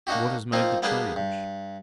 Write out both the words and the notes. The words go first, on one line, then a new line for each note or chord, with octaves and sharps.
What has made the change?
A#3 D4 D#4 F#4 G4
F3 A#3 C4 D#4 F4
G3 A#3 B3 D4 G4 G#4
G2